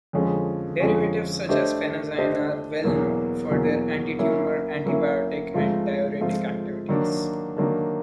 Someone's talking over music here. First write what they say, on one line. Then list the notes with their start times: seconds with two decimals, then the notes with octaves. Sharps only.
Derivatives such as phenazine are well known for their antitumor, antibiotic and diuretic activities.
0.13 F2 D3 F3 G#3 C#4
0.80 F2 D3 F3 G#3 C#4
1.49 A3 D4 G4 C5 D#5
2.16 A3 D4 G4 C5 D#5
2.84 E2 B2 F#3 A#3
3.51 E2 B2 F#3 A#3
4.19 F#3 A#3 C#4 E4
4.86 F#3 A#3 C#4 E4
5.54 G#2 F3 A3 C4 F4
6.21 G#2 F3 A3 C4 F4
6.89 D#3 F#3 A#3 D4
7.57 D#3 F#3 A#3 D4